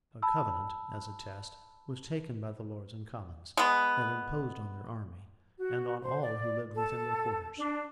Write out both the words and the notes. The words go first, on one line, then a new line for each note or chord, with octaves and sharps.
A covenant, as a test, was taken by the lords and commons, and imposed on their army, and on all who lived within their quarters.
A5 B5 E6
G#3 B3
F#4
C5
D5
A4
D4